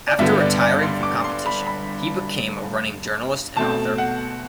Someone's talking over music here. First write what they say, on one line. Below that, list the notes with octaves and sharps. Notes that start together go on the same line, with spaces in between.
After retiring from competition, he became a running journalist and author.
D5
G2 D3 G3 B3 E5
D5
D5
C6
D6
C6
B5
B5
B2 A3 C4 A5
F#5